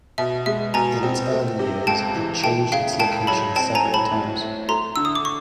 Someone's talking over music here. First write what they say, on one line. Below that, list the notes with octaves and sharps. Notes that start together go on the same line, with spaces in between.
In its early years, it changed its location several times.
B2 E5
G#3 E5
B2 G#5 A#5
C4
A3
C3
C#2 G5 A5
E3
A3 G5 A5
C#3 F5 G5
C#2 G5 A5
F#3 A5 B5
C4 G5 A5
G#5 A#5
F#3
A5 B5
A2
A3
A3 A#5 C6
D3 E6
D#6
D6
C#6